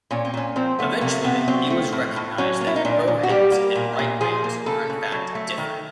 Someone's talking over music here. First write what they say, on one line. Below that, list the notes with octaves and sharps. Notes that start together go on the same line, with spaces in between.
Eventually, it was recognized that bowheads and right whales were in fact different.
A#2 C#4
C4
A#2 C#4
F3 C4
A3 B3
C3 A#3
C3 B3
F#3 C4
A3
A2
A2
F#3 C#4
A#3
E4
D#4
A#2 D4
A#2
F#4
G3 G4
A#3
A#2
A#2
F3 G#4
A#3
C#3 A4
C#3
F#3
A3
D#3